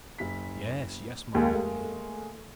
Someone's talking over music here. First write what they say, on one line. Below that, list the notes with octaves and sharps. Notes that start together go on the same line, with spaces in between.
Yes--yes, my young lady!
F#1 B6
D#2 G#3 A#3
A3